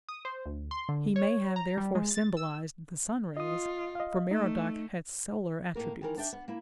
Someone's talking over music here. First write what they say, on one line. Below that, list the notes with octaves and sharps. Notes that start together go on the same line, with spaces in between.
He may have therefore symbolized the sun rays, for Merodach had solar attributes.
D#6
C5
D2
C6
D3
C#5
A#5
G3
G#3
A6
E6
F4 D#5 D#6
D#5 F5
A3 D#4
A2 A#3 A#4
D#3 E3 A#4
D4 D5 E5 G5
B3
A#3 E4